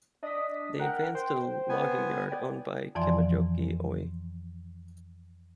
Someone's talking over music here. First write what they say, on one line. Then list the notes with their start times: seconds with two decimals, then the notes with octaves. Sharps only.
They advanced to a logging yard owned by Kemijoki Oy.
0.23 D4 D#5 D#6 B6
0.79 A#4 F#5 G5 F#6
1.15 C5 G5
1.69 B3 G#5
2.31 D5 G5
2.95 F2 E3 F3 D5 G#5 C6